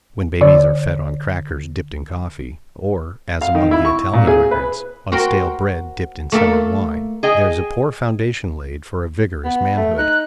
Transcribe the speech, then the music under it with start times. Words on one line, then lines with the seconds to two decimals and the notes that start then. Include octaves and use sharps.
When babies are fed on crackers dipped in coffee, or, as among the Italian immigrants, on stale bread dipped in sour wine, there is a poor foundation laid for a vigorous manhood.
0.41 D3 D5
3.41 F5
3.55 D#3
3.71 E4
3.85 C#6
4.13 A#2
4.27 G#4
4.51 B4
5.12 F#4 A#4 C5 G5
6.32 A3 A#3 A4 E5
7.23 G#4 D#5 G5 G#5
9.44 B3
9.76 A3
9.98 D#4 F#6